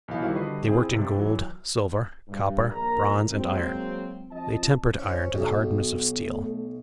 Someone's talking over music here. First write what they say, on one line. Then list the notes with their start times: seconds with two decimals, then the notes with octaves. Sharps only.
They worked in gold, silver, copper, bronze, and iron; they tempered iron to the hardness of steel.
0.08 B1 E3 F5
0.21 D#3 F3 G3 E4 F#4 C5
0.35 D3 G3 F#4 B4 D#5 C7
0.66 C4 E4 G#4
0.93 G2 C3
1.15 E3 F#3
2.28 G2
2.71 A#1 A#4 A#5
3.31 F#3 G#3 A#3 C4
4.30 F3 C4 D#5 A5
4.99 C#4 C5
5.34 B1 F#4
6.20 A3